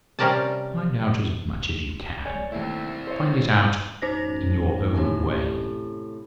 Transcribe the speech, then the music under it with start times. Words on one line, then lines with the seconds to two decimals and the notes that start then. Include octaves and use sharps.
"Find out as much as you can; find it out in your own way."
0.19 C3 G3 C#4 A#4 D5 A5
2.25 C#5 D5 G#5
2.52 D#2 A3 C4 E4
3.07 C5 C#5
4.02 A1 F#2 D#4 C5 A#6
4.94 A2 C3 G#5